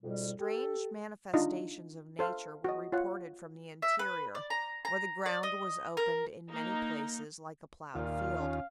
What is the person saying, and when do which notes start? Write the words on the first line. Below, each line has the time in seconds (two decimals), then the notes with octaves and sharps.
Strange manifestations of nature were reported from the interior, where the ground was opened in many places like a ploughed field.
0.03 F2 G#2 B2 G3
0.40 G4 A4
1.34 D4 D#4 F4
2.19 A4 C5 F5
2.64 F#4 D#5
2.92 F4 C#5 F#5
3.82 E5
3.99 B4
4.35 D5
4.50 A#5
4.85 A#5
5.26 D5
5.43 D#5
5.97 A#4
6.48 A#3 D#4
7.95 D#2 A#2 F4 F5
8.39 C#4